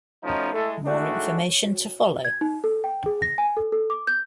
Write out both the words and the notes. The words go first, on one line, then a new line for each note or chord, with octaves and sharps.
More information to follow.
B2 F3 A3 C#4 D#4
G#3 A3 E4 A4
A2 D#3 G#3 A3 D4 F#4
G#6
D#4
A4
G5
G#4
A#6
G#5
A4
A4
D6
G6